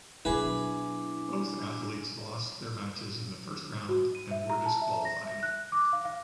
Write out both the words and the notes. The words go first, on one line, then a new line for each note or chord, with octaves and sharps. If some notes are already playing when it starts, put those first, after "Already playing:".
Both athletes lost their matches in the first round and were disqualified.
B2 F#3 D4 E4 G#4 B4 G#5 D6
F#4
D#7
E5
A#5
A5
E5
A#6
E5
F#6
D6
F5
F5